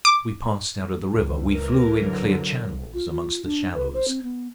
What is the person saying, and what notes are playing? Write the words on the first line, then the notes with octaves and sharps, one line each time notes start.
We passed out of the river; we flew in clear channels amongst the shallows.
D6
C#2
E3 A#4
D3 F#3
F4
F4
D4
B4
C5
C4
B3